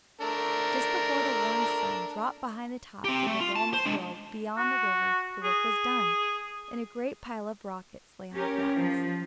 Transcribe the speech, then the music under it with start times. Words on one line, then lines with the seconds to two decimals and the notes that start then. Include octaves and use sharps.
Just before the warm sun dropped behind the tops of the walnut-grove beyond the river the work was done, and a great pile of rockets lay on the grass.
0.21 A3 D4 A#4
3.04 C4 G4
3.27 A3
3.40 F4
3.56 A5
3.73 C5
3.85 G#3 D4
4.57 F#4
5.44 G#4
8.34 C#4 G4 A#4
8.75 F3